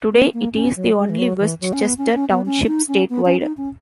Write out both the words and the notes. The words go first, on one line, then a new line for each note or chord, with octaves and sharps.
Today, it is the only West Chester Township statewide.
B3
A#3
C#4
F#3
G#3
E3
F#3
E3
F#3
C#4
B3
C#4
C#4
B3
C#4
D#4
C#4
B3
C#4
D#4
C#4